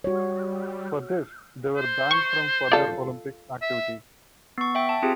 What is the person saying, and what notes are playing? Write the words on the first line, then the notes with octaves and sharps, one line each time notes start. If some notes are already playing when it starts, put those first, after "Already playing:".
For this, they were banned from further Olympic activities.
G3 F#4 C#5
C5
C#6
F4 A4 D5
E5
B3 C#6
E5 G5
A5
C4 F4 G4 G#4